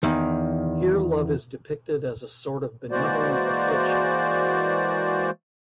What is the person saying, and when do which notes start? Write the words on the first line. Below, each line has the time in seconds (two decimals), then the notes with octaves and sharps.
Here love is depicted as a sort of benevolent affliction.
0.03 E2 D#3
2.91 E3 G#3 A#3 F#4 C5 D5